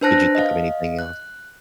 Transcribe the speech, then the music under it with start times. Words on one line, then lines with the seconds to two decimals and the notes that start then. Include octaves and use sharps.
could you think of anything else?
0.01 D4 B4 C5 A5 F#6 A#6
0.35 D#5 F5
0.99 F#6